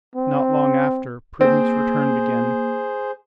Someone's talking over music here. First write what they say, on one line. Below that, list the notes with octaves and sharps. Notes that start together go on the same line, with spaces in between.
Not long after, Prudence returned again.
C4
A#3 C4 G#4 C5